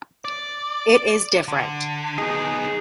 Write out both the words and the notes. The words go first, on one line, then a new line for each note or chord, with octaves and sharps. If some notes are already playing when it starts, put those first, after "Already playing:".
It is different.
D5
D3
B3 D#4 G#4